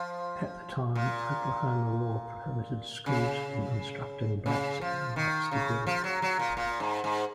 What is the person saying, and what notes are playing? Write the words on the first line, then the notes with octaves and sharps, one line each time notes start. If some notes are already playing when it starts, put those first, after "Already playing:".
At the time, Oklahoma law prohibited schools from instructing blacks and whites together.
Already playing: F3
A#2
C#3
C#3
F3
D#3
C#3
F3
F#3
F#3
A#2
A#2
G#2
G#2